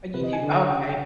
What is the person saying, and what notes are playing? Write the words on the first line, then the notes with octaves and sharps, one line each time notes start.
Oh, you do? Okay.
C3 B4
D#5
G#5
D3
C#3 G5
F#5
G5